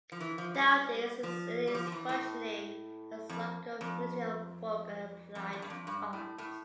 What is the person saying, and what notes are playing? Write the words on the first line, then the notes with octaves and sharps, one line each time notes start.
Nowadays it is functioning as local Museum of Folk and Applied Arts.
F3
E3
F3
G3
F3
G3
F3
F3
E3
A2
F2
F2
F2
E2
G2
F2
G2
A2
A2